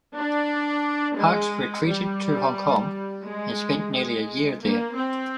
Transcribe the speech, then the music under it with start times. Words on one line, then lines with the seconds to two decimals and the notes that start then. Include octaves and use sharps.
Parkes retreated to Hong Kong and spent nearly a year there.
0.16 D4
1.18 G#3
1.87 G3
3.24 G#3
3.92 G#3
4.61 A#3
4.96 C4